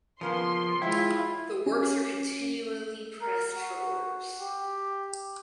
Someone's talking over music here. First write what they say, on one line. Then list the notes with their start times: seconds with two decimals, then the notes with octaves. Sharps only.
The works are continually pressed for orders.
0.21 C#3 F3 A#3 B3 C6
0.82 F#3 G#3 E4 F4 E5 G5
1.66 C#4
3.21 A#4
3.56 F#4
4.41 G4